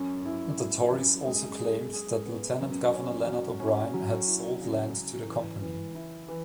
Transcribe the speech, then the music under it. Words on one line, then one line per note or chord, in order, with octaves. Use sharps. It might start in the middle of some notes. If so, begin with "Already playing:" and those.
The Tories also claimed that Lieutenant-Governor Leonard O'Brien had sold land to the company.
Already playing: F#2 C#4
E4
E4
F#2
G#3
G#4
G#4
B3
F#2
C#4
F#3
C#4
F#3
E4
C#3
C#3
E3
E3
E4
E3